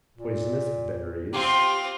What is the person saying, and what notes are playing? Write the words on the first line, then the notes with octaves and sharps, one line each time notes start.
Poisonous berries.
A#2
C4 F4 G4